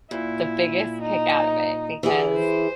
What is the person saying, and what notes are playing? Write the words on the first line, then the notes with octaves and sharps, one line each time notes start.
the biggest kick out of it because,
A#2 E4
D#4
E3 E4 G#4
C5